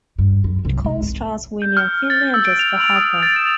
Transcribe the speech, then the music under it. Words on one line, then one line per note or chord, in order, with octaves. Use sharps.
It co-stars William Finley and Jessica Harper.
G2
F#2
C2
G#3
G#1
G6
F6
A6
E6
D7
F7
F#7
D#6
A6
E7